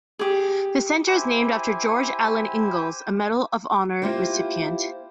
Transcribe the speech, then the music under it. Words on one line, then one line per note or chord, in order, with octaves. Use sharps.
The center is named after George Alan Ingalls, a Medal of Honor recipient.
G4 G#4
E4 G4 C5 G#5
A#3 E4 F4 G4 C5